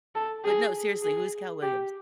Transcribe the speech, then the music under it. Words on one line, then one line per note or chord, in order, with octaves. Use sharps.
But, no, seriously, who's Cal Williams?
A4
G#4
G#4
G4